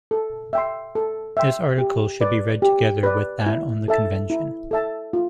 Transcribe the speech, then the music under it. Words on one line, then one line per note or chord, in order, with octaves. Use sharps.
This article should be read together with that on the Convention.
A4
E5 G5 C6
A4
E5 G5 C6
G4
B4 D5
G4
B4 D5
E4
A4 E5 A5
E4
A4 E5 A5
F4